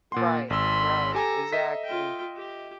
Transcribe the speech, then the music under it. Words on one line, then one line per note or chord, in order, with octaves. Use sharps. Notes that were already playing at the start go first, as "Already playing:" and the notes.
Right, right, exactly.
A#2 A#3 F#5 C6
G#1 B5 C6 E6
G4 A4 G#5 A#5 D6
D#5 E5 B6
F4 G5
G4